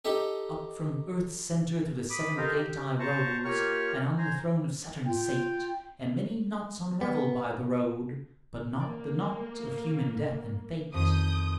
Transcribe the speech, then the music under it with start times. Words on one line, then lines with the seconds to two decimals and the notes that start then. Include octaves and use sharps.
Up from Earth's Centre through the seventh Gate I rose, and on the Throne of Saturn sate, And many Knots unravel'd by the Road; But not the Knot of Human Death and Fate.
0.05 D#4 G4 A4
2.10 B5 D6 D#6
2.37 G4 A4 A#4 C5 D#5 F5
2.57 G4
2.99 C5 A5 A#5 C#6
3.45 A#3 F4 G4 C#5 C#6 F6
4.18 C5 G#5 A#5
5.06 F4 G5
7.01 B3
8.80 A#3 D5
10.94 F2 D#3 D#6 G6